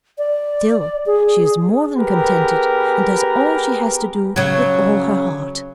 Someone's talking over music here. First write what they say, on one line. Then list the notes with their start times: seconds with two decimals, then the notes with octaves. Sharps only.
Still, she is more than contented and does all she has to do with all her heart.
0.18 D5
1.06 G#4
1.97 B3 G4 G#4 A#4 B4
4.36 C#3 F#3